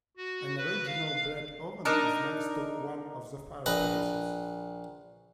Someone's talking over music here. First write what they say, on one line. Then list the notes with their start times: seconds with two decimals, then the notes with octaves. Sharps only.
An original bread-oven is next to one of the fireplaces.
0.17 F#4
0.57 B4
0.86 F5
1.85 D4 D#4 A#4
3.66 A#1 B4 D#5